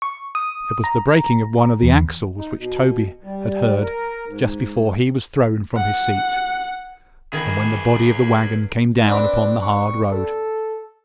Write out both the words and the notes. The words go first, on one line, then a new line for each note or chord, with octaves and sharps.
It was the breaking of one of the axles which Toby had heard just before he was thrown from his seat, and when the body of the wagon came down upon the hard road.
C#6
D#6
A#5
E2
D#4
B2
G3
A#4
G#2
F#5
D#3 G#4 B4
C4 D4 B4 D5
C#6
A4